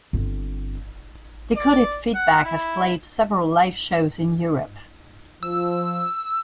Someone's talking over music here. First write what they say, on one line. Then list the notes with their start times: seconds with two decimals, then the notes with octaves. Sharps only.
Decoded Feedback have played several live shows in Europe.
0.13 G1 C4
1.56 D5
2.14 F#5
2.44 E4
5.43 F3 E6